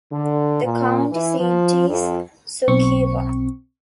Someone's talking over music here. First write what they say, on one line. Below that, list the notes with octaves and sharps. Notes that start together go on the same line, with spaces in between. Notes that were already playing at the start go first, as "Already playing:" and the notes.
The county seat is Suceava.
D3
A#2
E3
F3
F2
B1 C4 C#6